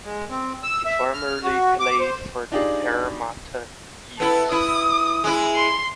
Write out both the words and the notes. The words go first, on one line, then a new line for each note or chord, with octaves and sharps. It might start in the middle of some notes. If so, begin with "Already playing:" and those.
He formerly played for the Parramatta Eels.
G#3
C4
E6
E5
F6
F#4
D6
C5
D4 D#4 F4 G4 G#4 D5
B3 E4 A4
E4 D#6
G#3 E4
C6